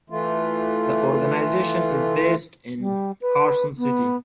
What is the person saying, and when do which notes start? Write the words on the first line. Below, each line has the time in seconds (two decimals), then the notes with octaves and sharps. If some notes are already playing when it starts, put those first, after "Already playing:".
The organization is based in Carson City.
0.10 E3 A3 F4
2.79 G3
3.22 B4
3.78 B3